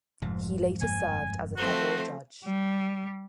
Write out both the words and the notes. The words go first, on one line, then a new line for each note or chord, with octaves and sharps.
He later served as a Federal Judge.
F1 F2 G#2 C3
F1 G2 A#3 G#5
F3 A3 C4 F#4
G3